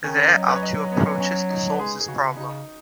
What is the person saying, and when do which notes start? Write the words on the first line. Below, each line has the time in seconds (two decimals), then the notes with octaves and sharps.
There are two approaches to solve this problem.
0.04 D#3 C#4
0.34 F#3 D#5
0.48 B4
0.56 C#5
0.63 D#5
0.92 B3
1.06 C#4
1.20 C#4
1.50 D#4
1.72 B4
1.79 G#3 G#4
2.01 G#4
2.08 C#3 F#4
2.22 C#3
2.37 C#3 D#4